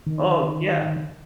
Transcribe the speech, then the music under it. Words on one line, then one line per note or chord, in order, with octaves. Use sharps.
Oh, yeah.
D#3